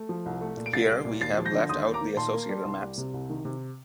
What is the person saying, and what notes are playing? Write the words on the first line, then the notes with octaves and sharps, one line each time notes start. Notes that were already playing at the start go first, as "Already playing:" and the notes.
Here we have left out the associator maps.
Already playing: A3
F3
C2
A3
A#2
D7
C2 A6 C7
G3
A#2
D#2 A6 C7
F3
G6 A#6
D3
D#2 C6 D#6
A#3
A#5 D6
D#3
A#2 A5 C6
A#3
G3
C2
G3
C3
C2
D#3
C3